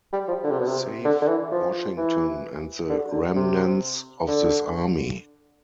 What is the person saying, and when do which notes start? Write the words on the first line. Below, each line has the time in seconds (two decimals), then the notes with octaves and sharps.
Save Washington and the remnants of this army.
0.13 G3
0.28 F3
0.43 D3
0.51 C3
0.59 B2
0.67 C3
1.05 D3
1.22 D3
1.28 E3
1.52 F3
1.97 E3
2.89 D3
3.12 D3
3.35 C3
4.27 D3